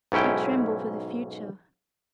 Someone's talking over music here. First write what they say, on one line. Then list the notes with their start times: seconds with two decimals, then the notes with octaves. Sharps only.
I tremble for the future.
0.12 B1 G#2 C#4 E4 G5